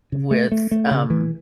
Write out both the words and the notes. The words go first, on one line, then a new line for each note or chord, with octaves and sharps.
with, um,
C#3
A3
A3
A3
C#3
E3